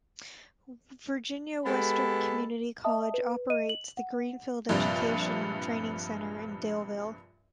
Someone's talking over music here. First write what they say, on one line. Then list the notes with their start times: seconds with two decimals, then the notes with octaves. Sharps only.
Virginia Western Community College operates the Greenfield Education and Training Center in Daleville.
1.65 G#3 B3 G4 A4 B5
2.84 D#5 E5 A5 D#6
3.14 B4
3.50 D#5 D#7
3.69 F#7
3.97 F#5
4.69 A#1 G2 C3